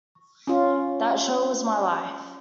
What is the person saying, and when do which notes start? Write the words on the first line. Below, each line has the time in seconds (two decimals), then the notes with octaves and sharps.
That show was my life.
0.47 C#4 F4